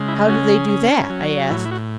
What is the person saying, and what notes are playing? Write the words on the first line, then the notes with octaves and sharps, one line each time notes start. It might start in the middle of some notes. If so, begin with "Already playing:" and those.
"How do they do that?" I asked.
Already playing: C#3 G#3
E4
C#4 F#4
G#4
C#4
F#3
A2 E4
E4
F#4